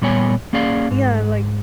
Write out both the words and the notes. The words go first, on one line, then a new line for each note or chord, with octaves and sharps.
Yeah, like
A#2 G3 B3 C#5 G#5
A#3 C#4 G#4 D5 F5
G#2